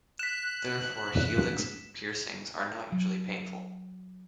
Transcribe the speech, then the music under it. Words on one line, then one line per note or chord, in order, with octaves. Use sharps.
Therefore, helix piercings are not usually painful.
F#6 B6 E7
F#3